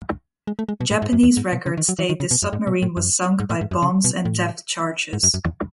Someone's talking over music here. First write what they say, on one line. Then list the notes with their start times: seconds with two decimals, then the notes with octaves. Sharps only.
Japanese records state this submarine was sunk by bombs and depth charges.
0.47 G#3
0.59 A3
0.69 G#3
0.81 B2
0.91 A2
1.02 G#2
1.13 F#2
1.23 E2
1.37 G#2
1.53 B2
1.66 C#3
1.77 D#3
1.89 F#3
1.99 E3
2.09 D#3
2.20 C#3
2.31 B2
2.42 F#2
2.53 G#2
2.67 B2
2.82 A2
2.97 F#2
3.40 G#2
3.50 A2
3.61 G#2
3.71 F#2
3.82 C#3
4.04 B2
4.25 A2
5.13 G#2
5.23 F#2
5.34 F#2
5.45 E2